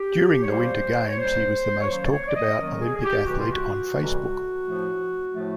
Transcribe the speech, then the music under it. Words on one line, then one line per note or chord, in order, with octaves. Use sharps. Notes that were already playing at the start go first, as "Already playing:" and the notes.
During the winter games, he was the most talked about Olympic athlete on Facebook.
Already playing: G4
C#5
A#2 G3 A#3 C5
C#5
A#2 G3 A#3 C5
C#5
F#2 D#3 F#3 A#3 C5
D5
C#5
D5
D#5
F#2 D#3 F#3 A#3
G#4
G#4
G4
F2 C3 E3 G3 F#4
F4
F#4
F2 C3 E3 G3
A2 F3 A3
A2 F3 A3